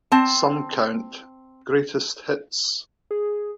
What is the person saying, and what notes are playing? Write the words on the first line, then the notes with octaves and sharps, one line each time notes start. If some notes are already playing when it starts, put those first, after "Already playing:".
Some count "Greatest Hits".
C4 A5
G#4